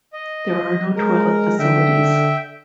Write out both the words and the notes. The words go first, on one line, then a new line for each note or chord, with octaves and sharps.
There are no toilet facilities.
D#5
G#3 A#4
D3 E5 G5